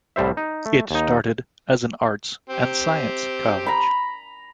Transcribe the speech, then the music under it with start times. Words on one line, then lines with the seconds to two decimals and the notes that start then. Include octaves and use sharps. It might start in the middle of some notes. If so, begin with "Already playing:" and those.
It started as an Arts and Science college.
0.16 C2 A2 G3 C5 E5
0.37 D#4
0.66 A3
0.91 D#2 D#4
2.49 C4 G4
3.67 A#5 B5